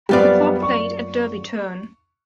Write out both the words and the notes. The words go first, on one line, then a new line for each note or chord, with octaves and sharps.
The club played at Derby Turn.
F#2 G3 B3 F4 D5
C#6